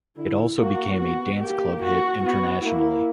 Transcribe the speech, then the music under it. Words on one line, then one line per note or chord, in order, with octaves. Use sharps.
It also became a dance-club hit internationally.
D3 E4
A#3 F#4
B3 F#4
A#3 G4
F#4
B3 F#4
A#3 E4